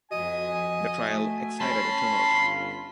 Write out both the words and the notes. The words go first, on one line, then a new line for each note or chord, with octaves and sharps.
The trial excited a tumult.
F2 F#4 D#5 G#5
A3
C#4 A5 B5 C6
G1 F4